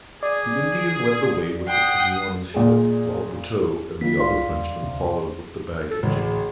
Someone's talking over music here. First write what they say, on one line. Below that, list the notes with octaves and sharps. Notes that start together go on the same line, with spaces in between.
The Indian led the way with the canoe on his head, while Buteux and the other Frenchman followed with the baggage.
G#4 D5
F#5 G5 D#6 C7
A#2 G#3
D#3 A#3 F4 B6
C2 D5 F5 C6
E2 G2
D2 C3
A4
A1 D2 G#3
G#4